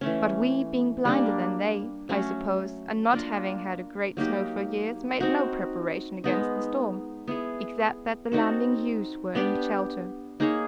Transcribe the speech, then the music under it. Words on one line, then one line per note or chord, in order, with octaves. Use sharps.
But we, being blinder than they, I suppose, and not having had a great snow for years, made no preparation against the storm, except that the lambing ewes were in shelter.
E3 A3 C#4
G3 A#3 D4
F#3 A3 C#4
A#3 D4 F4 A#4
F#3 A#3 D#4 G4
C4 D#4 F#4
G#3 B3 D#4
B3 E4 G#4
C4 D#4 F#4 A4
B3 D4 G4
A#3 D#4 G#4 C#5